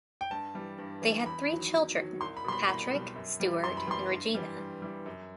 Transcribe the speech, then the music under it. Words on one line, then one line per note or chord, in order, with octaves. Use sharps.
They had three children: Patrick, Stewart and Regina.
G5
G2 A5
E3 G3
G2
E3 G3
E2 B5
D#3 F#3
E2
D#3 F#3
C2 C6
B5
B2 G3 C6
B5
C2 B5
B2 G3
F#2
E3 G3
F#2 C6
B5
E3 G3 C6
G2
E3 G3
G2
E3 G3
F#2